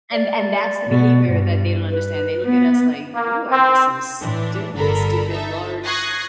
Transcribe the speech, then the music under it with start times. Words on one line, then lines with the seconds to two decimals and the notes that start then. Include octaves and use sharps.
And and that's the behavior that they don't understand. They look at us, like, "You are just some stupid, stupid, large,
0.12 D5
0.88 B2
1.31 G2
1.90 B4
2.45 B3
3.15 A#3
3.50 C4
4.20 A2 E3 D4
4.74 G1 D3 A4 A#4 B5
5.30 D#4 A4 E5
5.84 C#6 D#6 F#6 G#6 A#6 C7